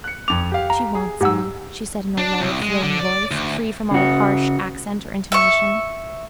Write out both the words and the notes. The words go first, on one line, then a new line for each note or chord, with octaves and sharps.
"She wants me," she said in a low, thrilling voice; free from all harsh accent or intonation.
F#6 C#7
F2 D6 F7
G4 F5
A#5
G#4
G#2 G4 F#5 E6
D4
C2
G#3
D3
D5
D2
C#3 F#4
E5 C#6